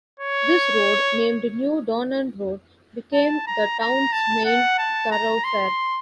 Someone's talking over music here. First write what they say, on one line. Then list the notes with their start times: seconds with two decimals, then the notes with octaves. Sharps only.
This road, named New Donnan Road, became the town's main thoroughfare.
0.20 C#5
3.14 A5
3.47 A#5
3.80 A#5
4.12 A5
4.45 F#5
4.78 A5
5.12 A#5
5.44 C6